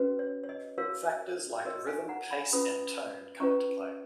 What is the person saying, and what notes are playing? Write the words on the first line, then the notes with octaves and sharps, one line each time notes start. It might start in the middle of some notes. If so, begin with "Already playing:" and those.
Factors like rhythm, pace, and tone come into play.
Already playing: C#4 F#4 B4
C#5
C#5
D#5
F#4 A#4 C#5 F5
F#4 A#4 C#5 D#5
F5 G#5
F#5 A#5
G#5 B5
C#4 F4 B4 B5 D#6
C#4 F4 B4 A#5 C#6